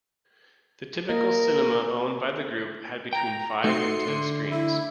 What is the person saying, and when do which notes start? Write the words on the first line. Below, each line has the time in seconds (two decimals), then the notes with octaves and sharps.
The typical cinema owned by the group had between five and ten screens.
1.09 A#3 A#4 D#5
3.13 G5 A#5
3.64 A3 D#4 F#4 C6 C7 C#7
4.08 D3
4.51 E4